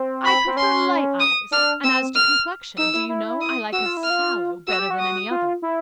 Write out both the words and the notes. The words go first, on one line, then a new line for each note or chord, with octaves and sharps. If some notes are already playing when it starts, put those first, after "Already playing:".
I prefer light eyes; and as to complexion, do you know, I like a sallow better than any other.
Already playing: C4
B5
C4
C#4 C6
D#6
D4 F6
C4 E6
F6
D#4 E6
E4
E4
D#6
F#4 E6
F4
E4
F6
F4
F#4 E6
G4
F#4
D#6
F4
E4